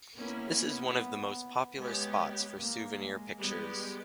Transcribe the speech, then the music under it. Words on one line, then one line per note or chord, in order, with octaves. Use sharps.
This is one of the most popular spots for souvenir pictures.
A#3 B3 C#4 E4
B3
G#3 B3 G4 C#5
A#3
G#3
G3 G#3 B3 G4